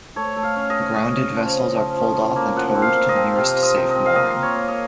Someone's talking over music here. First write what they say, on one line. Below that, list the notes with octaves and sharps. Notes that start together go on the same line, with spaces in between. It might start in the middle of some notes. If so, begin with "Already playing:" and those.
Grounded vessels are pulled off and towed to the nearest safe mooring.
A3 C#5
A3
F5
C#4
D#5
C#4
C#3 D#5
C#3
F3
C#3
F3
F3
A2
A#3
F3 F#5
C4
F5
A#2
D#5
C4
C3 F5
C3
D#5
C3
D#5
C4
F5
A#3 D#5
A#3
C#5
A#3
D#5